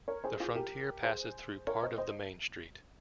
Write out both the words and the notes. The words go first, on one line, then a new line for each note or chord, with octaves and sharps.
The frontier passes through part of the main street.
A#4 C#5
G#4 C5
F4 G#4
G4 A#4
G#4 C5
A#4 C#5
C5 D#5
C5 D#5